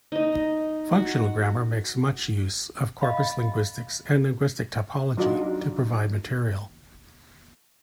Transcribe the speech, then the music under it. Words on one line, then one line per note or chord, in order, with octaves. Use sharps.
Functional grammar makes much use of corpus linguistics and linguistic typology to provide material.
D#4 D#5
F#4
D#5 F5 B5
F#3 D4 D#4 F4 F#4